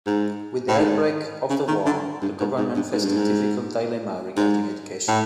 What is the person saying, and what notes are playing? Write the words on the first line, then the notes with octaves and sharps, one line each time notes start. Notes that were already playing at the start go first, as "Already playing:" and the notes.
With the outbreak of the war, the government faced a difficult dilemma regarding education.
G#2
A2
G#2
C#3
D#3
D3
G2
G#2
G#2
G2
G#2
G2
G#2
G#2
A2